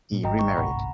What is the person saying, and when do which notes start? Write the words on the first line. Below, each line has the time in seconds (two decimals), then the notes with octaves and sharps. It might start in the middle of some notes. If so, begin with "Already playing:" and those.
He remarried.
0.12 A#2
0.24 G#1 G#2 D#5 G5 A#5
0.39 C#6
0.57 G1 C2 G#2 F#5 A#5 B5